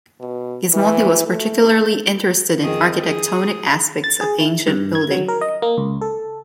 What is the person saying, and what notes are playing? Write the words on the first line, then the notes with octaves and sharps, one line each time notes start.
Gismondi was particularly interested in architectonic aspects of ancient building.
B2
E3
A3
F2 D#3 G#4
G#4
A6
G#4
E4
G2
G#6
F#3
A#4
D#5
A#3
C#2
A4